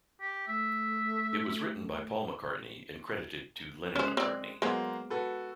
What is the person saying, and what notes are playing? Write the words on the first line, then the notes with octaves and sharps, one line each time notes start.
It was written by Paul McCartney and credited to Lennon-McCartney.
G4
A3 E5
G#3 C#4 C5 F#6
C4 D5
F#3 G#3 A#3 B3 C5
F#4 A4 B4